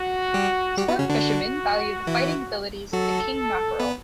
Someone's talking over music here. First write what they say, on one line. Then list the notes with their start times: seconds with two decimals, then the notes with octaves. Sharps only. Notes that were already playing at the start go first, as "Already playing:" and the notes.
Sport fishermen value the fighting abilities of the king mackerel.
Already playing: F#4
0.34 G3 G4
0.77 G3 F#4 G4
0.88 B3 B4
0.99 C#3 C#4
1.10 D3 D4
2.07 E3 E4
2.93 F#3 F#4 A4
3.80 B3 B4